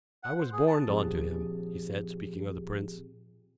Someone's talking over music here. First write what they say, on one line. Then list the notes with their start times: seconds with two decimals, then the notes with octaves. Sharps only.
"I was borned on to him," he said, speaking of the Prince.
0.23 F#5
0.41 C5
0.53 G#4
0.67 A5
0.88 A#2 F3 C4 G4 G#4